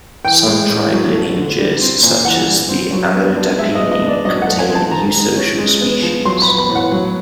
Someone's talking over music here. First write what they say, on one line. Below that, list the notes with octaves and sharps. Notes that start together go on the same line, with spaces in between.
Some tribe lineages, such as the Allodapini, contain eusocial species.
E3 G5
G#3
A2
F#3
A3
D3
G3
C4
A#2
E3 F#5
G3
C4
F#3
B3
D4
G#3 E5
D#5
B3
D#5
D4
D5
F#3 D#5
F#5
A3
G#5
C4
A5
D#3 A#5
G#3
C#4
G#3
B3
F3
F#3 C6
B5
B3
B5
A2
F#5
F#3